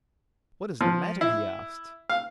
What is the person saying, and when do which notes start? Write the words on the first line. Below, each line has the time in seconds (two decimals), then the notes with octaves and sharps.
"What is the matter?" he asked.
0.81 F3
1.21 E4
2.09 F5